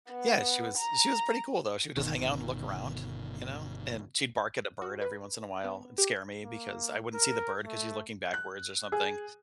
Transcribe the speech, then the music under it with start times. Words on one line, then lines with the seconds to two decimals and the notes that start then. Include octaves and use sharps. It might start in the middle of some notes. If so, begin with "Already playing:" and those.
Yeah, she was she was pretty cool, though. She would just hang out and look around, you know, and she'd bark at a bird every once in a while, and scare me because I wouldn't see the bird 'cause she's looking backwards or something,
0.10 B3
0.78 A#5
1.97 G1 B2 D#3
4.82 F#4
5.01 B4
5.64 B3
5.98 G4
6.45 A#3
7.15 A#4
7.66 A3
8.34 F#6
8.92 G#4